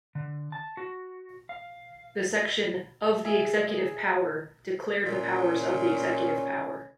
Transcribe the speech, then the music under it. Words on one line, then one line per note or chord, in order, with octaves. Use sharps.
The section "Of the Executive Power" declared the powers of the executive power.
D3
A5
F#4
F5
G#4 E5
A#2 C#4